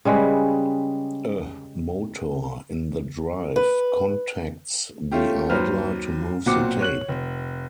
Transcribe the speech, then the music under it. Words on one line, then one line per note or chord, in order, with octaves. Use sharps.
A motor in the drive contacts the idler to move the tape.
C#3 G3 G#3 B4
B4
A3 C#4 F4 G4
D#2 F#3 B4 C5 F6
B1 A#2 C4 F#4 D6 C#7
C#5 F#6 F#7
F1